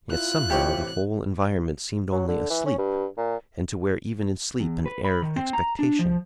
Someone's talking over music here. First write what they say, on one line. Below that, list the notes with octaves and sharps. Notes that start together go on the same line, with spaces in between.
Yet somehow the whole environment seemed only asleep, and to wear even in sleep an air of expectation.
E4 F4 F#6
A1 C3 G4 C#5
F#3
D3
E3
C#4
G2
A#2
E2
B4
B5
D#3
C4
A#5
D4
F3